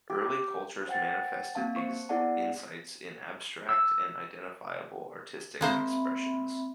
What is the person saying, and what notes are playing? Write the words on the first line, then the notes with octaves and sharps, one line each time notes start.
Early cultures manifested these insights in abstract and identifiable artistic expressions.
G4
C5 F#5 G5 A6
A#3 C4 F5 A5
C5 C#6
B3 E4 G#4 D5 F#5 A5
E6
G#3 A#3 C4 C5 E5 B5